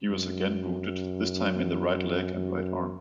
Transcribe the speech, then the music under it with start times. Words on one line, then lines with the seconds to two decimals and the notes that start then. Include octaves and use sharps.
He was again wounded, this time in the right leg and right arm.
0.11 F#2
2.35 F#2